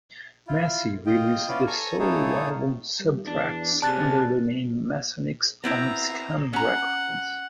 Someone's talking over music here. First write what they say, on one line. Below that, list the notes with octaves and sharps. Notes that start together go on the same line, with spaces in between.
Massey released the solo album "Subtracks" under the name Massonix on Skam Records.
E4 F4
F4 D#5 G5
B3 C#4 E4 F4 D5 F5
A4 G#5 A#5 C#6
A#3 D#4 E4 G#4 A4 C#5
G3
E2 D4
C3 G#4 D5 A5 F#6 A6
B3 C4 E4 A#5
C#4 F#5 A#5